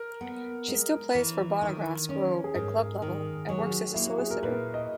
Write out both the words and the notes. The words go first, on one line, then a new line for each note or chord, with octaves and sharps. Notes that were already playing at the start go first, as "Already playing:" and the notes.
She still plays for Bonagrass Grove at club level and works as a solicitor.
Already playing: A#4
B3
G#3
E3
D#3
C#4
G#4
G#2 A#4
D#3 A#4
F#3 F#4
G#4
F#4
A#3 E4
F#4
G#4
A#4
A#2 B4
D#5